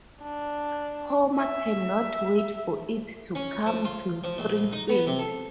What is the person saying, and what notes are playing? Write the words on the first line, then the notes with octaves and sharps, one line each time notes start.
Homer cannot wait for it to come to Springfield.
D4
E5
C#4
F3
F4
F3
A#1
D#4
B3
C3
A4